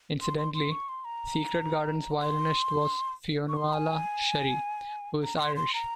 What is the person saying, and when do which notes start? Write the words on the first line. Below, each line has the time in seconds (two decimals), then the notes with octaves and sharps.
Incidentally, Secret Garden's violinist was Fionnuala Sherry, who is Irish.
0.22 C6
0.38 C6
0.54 C6
0.72 C#6
0.89 C6
1.05 A#5
2.21 C6
3.48 C#6
3.57 C6
3.73 G#5
5.23 A#5
5.36 C#6
5.39 C6
5.56 C6
5.74 A#5